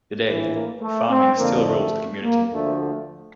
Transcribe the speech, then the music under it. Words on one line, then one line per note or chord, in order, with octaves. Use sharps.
Today, farming still rules the community.
A#1 A2 E3
A#3
A3
C4
F2 D3 F3 A#3
A3
A#3
D2 D3 F3 A3
A3